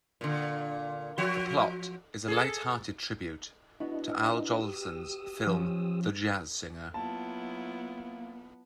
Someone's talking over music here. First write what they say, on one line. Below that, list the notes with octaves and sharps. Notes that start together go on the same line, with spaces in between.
The plot is a lighthearted tribute to Al Jolson's film "The Jazz Singer".
A#2 D3
F3 F#4
G#4 A4
B3 D4 E4 F#4 D#5
G4 D#6 E6
F3 C#4
F#3 A#3 B3 E4 F4 A5